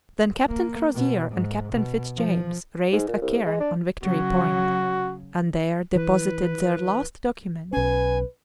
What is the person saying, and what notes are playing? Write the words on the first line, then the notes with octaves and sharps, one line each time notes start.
Then Captain Crozier and Captain Fitz-James raised a cairn on Victory Point, and there deposited their last document.
A#3
B2
G#2
B2
F3
G#2
A#2
C2
G#3
D4
C#3 F#3 F#4
E3 B4
B1 C#4 B4 G#5